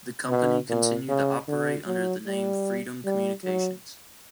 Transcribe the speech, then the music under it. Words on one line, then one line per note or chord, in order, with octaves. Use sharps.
The company continued to operate under the name Freedom Communications.
B2
A#2
C#3
D3
F#3
G3
G3
F#3